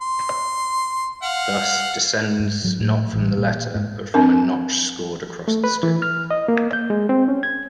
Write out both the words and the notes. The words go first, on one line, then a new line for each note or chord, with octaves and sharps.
Thus, descends not from the letter but from a notch scored across the stick.
C6
F5 F#5
G#2
F#3
A2
A1
A#2
G#2
C4 D4 A#4
A3
B4
E3
F6
D#5
A#3
G6
G#3
C4
C#4
G#6